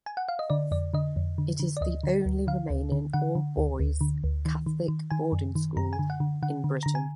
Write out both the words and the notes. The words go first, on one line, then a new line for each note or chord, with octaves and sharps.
It is the only remaining all-boys Catholic boarding school in Britain.
G#5
F#5
F5
D#5
D3 D5
F2 D5
D3 D#5
F2
D3
D3
D5
D2 D#5
D3
D2
D3 F5
D2
D3
D3 F#5
D3
D2
D2
D3
D2
D#3
D#3
D#3
D#3 G#5
F#2
D#3
F#2 A#5
G#5
D3
F#5
D3
D3 F#5
D3
D3 A#5
G#5